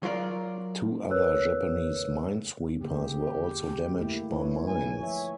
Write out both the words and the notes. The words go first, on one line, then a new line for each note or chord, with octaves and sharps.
Two other Japanese minesweepers were also damaged by mines.
F#3 F4 A#4 D5
A#4 B4 C#5 E6 F#6
D3 A#3 G4 G#4
A3 A#3 E4
E4 B4 C#5
G#5
F3 C#5 E5